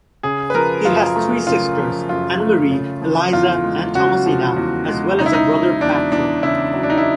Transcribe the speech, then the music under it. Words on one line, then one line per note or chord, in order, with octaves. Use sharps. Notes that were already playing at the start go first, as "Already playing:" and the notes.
He has three sisters, Anne-Marie, Eliza and Thomasina, as well as a brother Patrick.
C#3 G#4
B4
F3 A#4
F#2 F4
A3
C#3 F4
F3
F#2 F4
A3
C#3
F3
E2 F4
G#3
C#3 F#4
F3
E2
G#3
C#3 D#4
E4
D#4
F#3
E2 D4
E2 D4
C#3 E4
F#3
D4
D#4
E4